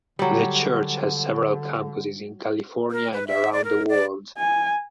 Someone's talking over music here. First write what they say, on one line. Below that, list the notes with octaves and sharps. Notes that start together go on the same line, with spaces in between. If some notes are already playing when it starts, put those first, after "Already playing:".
The church has several campuses in California and around the world.
D3 F#3 G3
A#4
B4
E5
D5
A#4
D5
G#5